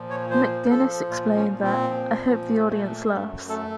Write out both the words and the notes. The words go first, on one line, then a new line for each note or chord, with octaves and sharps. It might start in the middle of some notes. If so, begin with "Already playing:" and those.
McGuinness explained that: I hope the audience laughs.
Already playing: A#2 F3
C#5
F3 C5
F3 A4
A#2 F4
C#4
A#2
C4
F3
A#2
A3
F#2
A3 A4